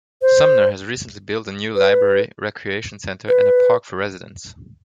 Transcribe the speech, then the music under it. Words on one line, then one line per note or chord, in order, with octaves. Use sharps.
Sumner has recently built a new library, recreation center, and a park for residents.
C5
B4
B4